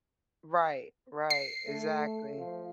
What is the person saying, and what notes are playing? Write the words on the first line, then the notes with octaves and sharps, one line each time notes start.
Right, right, exactly.
C7
A3
F3